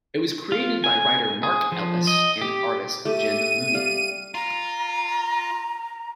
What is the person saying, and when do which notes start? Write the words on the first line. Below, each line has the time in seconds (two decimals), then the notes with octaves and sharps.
It was created by writer Mark Ellis and artist Jim Mooney.
0.52 F4
0.84 G#5
1.43 G#4
1.72 F3
2.07 D#5
2.42 G4
3.05 A3 G4 D#7
3.74 G3 F5
4.35 F4 A#5